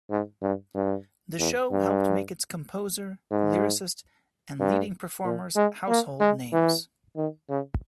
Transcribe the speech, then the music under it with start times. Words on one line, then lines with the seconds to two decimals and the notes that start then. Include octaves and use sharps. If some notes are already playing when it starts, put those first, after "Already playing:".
The show helped make its composer, lyricist and leading performers household names.
0.11 G#2
0.43 G2
0.75 G2
1.39 E2
1.72 G2
3.32 G#2
4.60 G2
5.25 A#2
5.56 G#3
5.89 A#3
6.21 G#3
6.53 E3
7.17 D#3
7.50 C#3